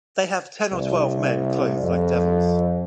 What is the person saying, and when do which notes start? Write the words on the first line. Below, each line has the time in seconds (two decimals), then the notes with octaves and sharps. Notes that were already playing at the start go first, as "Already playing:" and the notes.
They have ten or twelve men clothed like devils.
0.72 C2
1.82 F2